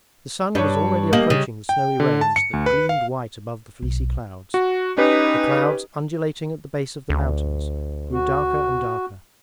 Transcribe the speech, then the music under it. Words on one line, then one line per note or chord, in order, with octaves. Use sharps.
The sun was already approaching the snowy range that gleamed white above the fleecy clouds. The clouds undulating at the base of the mountains grew darker and darker.
G2 D4 C#5
G3 A#3 D#5 F#7
C#3
G5
D3
A5
C#7
D2
B4
F5
B1
F#4
C#4 D#4 G4 B4
D2
F#4